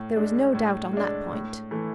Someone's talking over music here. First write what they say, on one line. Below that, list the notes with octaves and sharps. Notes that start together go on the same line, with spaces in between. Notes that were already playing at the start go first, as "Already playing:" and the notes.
There was no doubt on that point.
Already playing: A2
G#3 D4
A2
G#3 D4
A2
E3 A3